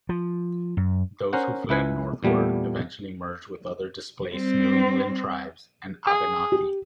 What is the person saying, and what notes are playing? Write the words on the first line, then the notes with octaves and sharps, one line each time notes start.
Those who fled northward eventually merged with other displaced New England tribes and Abenaki.
F3
F#2
C#4 A#4 C5 F#5
C#2 E4 B4 G#5
E2 A#2 G3 A3 B3
G3 C4
G#4
G4